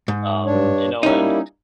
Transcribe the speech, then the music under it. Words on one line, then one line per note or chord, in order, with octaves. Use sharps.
um, you know, and
G#2
G2 D4 C#5
G3 A#3 C#4 D#4 E4